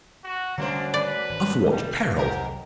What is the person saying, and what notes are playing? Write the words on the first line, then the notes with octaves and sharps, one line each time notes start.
Of what peril?'
F#4
F#2 D3 G3 A3 A#3 D4 C5
B4 D5
G#1 E3
B2 D3 G3
C2 F2 G#2 F#3 G4 A#4